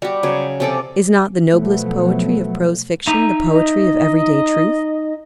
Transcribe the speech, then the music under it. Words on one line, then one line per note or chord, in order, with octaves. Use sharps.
Is not the noblest poetry of prose fiction the poetry of every-day truth?
G3 F#4 G4
C#3 F#3
C3 F3 C#4 A4 D5
B2 F3 F#3 A3 B3
D#4 E5 A#5 D#7
D#5